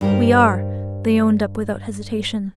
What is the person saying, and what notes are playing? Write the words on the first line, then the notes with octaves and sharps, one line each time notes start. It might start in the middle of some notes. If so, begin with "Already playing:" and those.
"We are," they owned up without hesitation.
G2 G4 A#4 C5